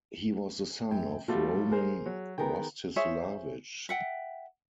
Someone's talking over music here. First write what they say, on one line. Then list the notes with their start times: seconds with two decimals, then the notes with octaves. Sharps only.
He was the son of Roman Rostislavich.
0.91 F#2 G5
1.28 G3 A3 F4 F#4
1.56 F#3
1.71 G#4 A#4 C5
2.06 F#3
2.38 D#3 B3 G#4 A#4 G5
2.96 G#4 C5 C#5 E5
3.89 E5 F#5 G5